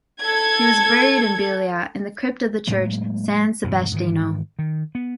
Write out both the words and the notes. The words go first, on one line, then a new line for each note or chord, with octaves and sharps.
He was buried in Biella in the crypt of the church "San Sebastiano".
A4 G#6
A2 F#3 G#3 A#3
E1 G2 F3
G#2 D#3 E3
D#3
B3